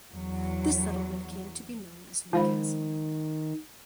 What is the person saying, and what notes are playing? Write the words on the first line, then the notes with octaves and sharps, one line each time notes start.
This settlement came to be known as Newcastle.
E2 F#3
D#3 F3 G#3 C5 B5